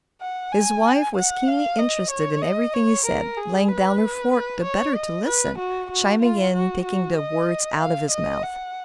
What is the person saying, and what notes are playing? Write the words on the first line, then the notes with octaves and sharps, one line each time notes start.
His wife was keenly interested in everything he said, laying down her fork the better to listen, chiming in, taking the words out of his mouth.
F#5
G#5
F#5
F5
D#5
C#5
D#5
C#5
A#4
G#4
B4
B4
C#5
D#5
B4
F#4
F#4
F4
F#4
F#4
D#5
F5
D#5
F#5